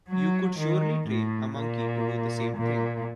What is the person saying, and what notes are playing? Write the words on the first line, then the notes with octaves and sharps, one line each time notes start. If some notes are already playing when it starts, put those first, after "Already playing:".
You could surely train a monkey to do the same thing.
F#3
D#3
A2
A#2
A#2